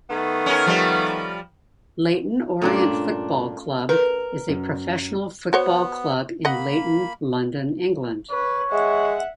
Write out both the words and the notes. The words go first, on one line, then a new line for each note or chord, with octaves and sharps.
Leyton Orient Football Club is a professional football club in Leyton, London, England.
D#3 A3 B3
C#4 A#4
F3 G3
G2 A#2 A3 C#4 D4 F4
A#4 B4
F#2
B3 F#4 C5 C#5
A#3 D#5 F#5 B5
B4 C#5
G#3 E5 F#5